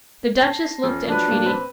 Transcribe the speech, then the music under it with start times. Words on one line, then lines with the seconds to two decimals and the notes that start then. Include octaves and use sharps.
The Duchess looked entreaty.
0.40 A5 A#6 C7
0.84 F2 C#4
1.08 F3 F#3 D4 B4
1.28 A2 A#3
1.46 C4 B4